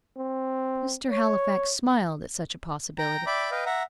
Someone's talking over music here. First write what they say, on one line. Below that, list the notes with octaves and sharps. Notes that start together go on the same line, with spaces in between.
Mr. Halifax smiled at such a possibility.
C4
C#5
G5 A#5
D5 E5 G5 B5 D6
B4 D#5 F5 G5
E5 F#5 A#5